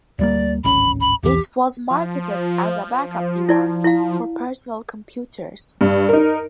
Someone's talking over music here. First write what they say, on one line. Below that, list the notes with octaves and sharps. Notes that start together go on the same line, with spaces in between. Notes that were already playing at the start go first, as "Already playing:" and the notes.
It was marketed as a backup device for personal computers.
D2 G3 A#3 D5
D1 G#1 C#4 B5
B5
B1 E2 E3 G4
F3
E4 D5 A5
E4 F5
G2
D#4 A#4